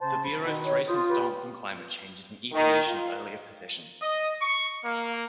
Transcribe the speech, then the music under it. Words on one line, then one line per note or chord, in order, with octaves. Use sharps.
The Bureau's recent stance on climate change is an evolution of earlier positions.
C#3 C5 A5
B5
B2 D#3 B3
C#5
F4 C5 D#6
G4 B4
D#3
F4
D#5
C#6
A#3